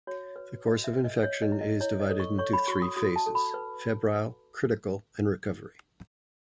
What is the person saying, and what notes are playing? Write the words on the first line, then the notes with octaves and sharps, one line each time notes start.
The course of infection is divided into three phases: febrile, critical, and recovery.
F#4 C#5
B4
F#4 D#5
E5
B4
D#5
C#5
D#5
E4
D#5
E4 C#5
D#5
A4
C#6
C#5 C#6
B5
F#4 C#6
D#6
F#4 D#6
A5
A4
B5
B4